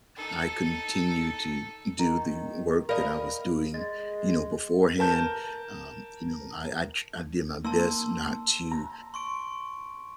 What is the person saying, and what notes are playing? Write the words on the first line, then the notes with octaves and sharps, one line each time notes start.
I continue to do the work that I was doing, you know, beforehand, um, you know, I I tr I did my best not to,
D#4 A4
D#3 A#5
A#4 D5 D#5 F5 B5
G#3 A6
A#4 A5 G6
A#3 D#4 A5 C6 E6
A#5
C6 C#6 D7